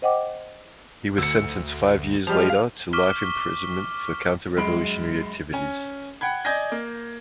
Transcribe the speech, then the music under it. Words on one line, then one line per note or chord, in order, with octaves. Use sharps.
He was sentenced five years later to life imprisonment for counter-revolutionary activities.
C5 D#5 F#5 G5 D6
D2 E6 C#7
F3 G3 G#3 F6
F5
C#6 D6 F6 B6 G7
F#2 G#3 B5 D7
C#4 G#5
F#5 G5 B5 G#6
D5 D#5 G#5 G6 G#6 A#6
A#3